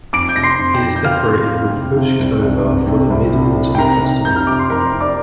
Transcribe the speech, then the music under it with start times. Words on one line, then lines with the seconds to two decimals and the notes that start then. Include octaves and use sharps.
It is decorated with bush clover for the Mid-Autumn Festival.
0.13 F2 D6 D7
0.29 G6
0.36 C3 A#6
0.43 C6 C7
0.59 F2
0.74 G5 G6
0.82 F2
0.96 G6
1.04 F2 F5 F6
1.27 F2
1.50 F2
1.73 C3
1.96 C3
2.19 C2
2.42 C2
2.64 C3
2.87 C3
3.10 C2
3.33 C3
3.56 C3
3.75 G5
3.78 C3 A#4 A#5
4.02 C3
4.24 F2 G6
4.36 F6
4.47 C3 D6
4.59 C6
4.70 F2 A#4 A#5
4.94 F2
5.00 D5 D6